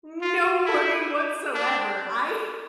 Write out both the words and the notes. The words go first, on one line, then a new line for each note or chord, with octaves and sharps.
No warning whatsoever. I
F4
E4
D4